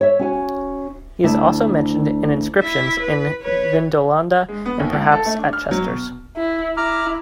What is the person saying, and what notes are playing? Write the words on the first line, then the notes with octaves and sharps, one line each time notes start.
He is also mentioned in inscriptions in Vindolanda and perhaps at Chesters.
C#5 E5
C#4 F#4 G#5
D2 A3 D4 E4 A5
E4 E5
B4
B4 C#5
G#3
B3
D#2
C#2
A4
A3
D4
F6
F#3
B2
E4
E4 A#5 D6 F6